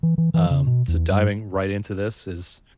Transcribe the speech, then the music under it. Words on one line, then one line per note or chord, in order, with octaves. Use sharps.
um, so diving right into this is,
E3
E3
E3
C#3
B2
E2
G2